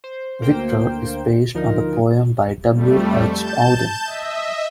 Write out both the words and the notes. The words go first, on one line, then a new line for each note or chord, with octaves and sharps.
"Victor" is based on the poem by W. H. Auden.
C5
D2 A#3 C5 G5
D2 F3 D#4 A#4
F2 G3 A3
A5 G6 E7
D#5 E5